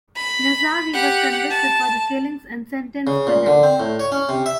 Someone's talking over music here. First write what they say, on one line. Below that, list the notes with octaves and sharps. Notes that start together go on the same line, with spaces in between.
Nazari was convicted for the killings and sentenced to death.
B5
G4 F#5
A5
C#3
A#2
D3
C4
A2
C#5
C#4
C3
E5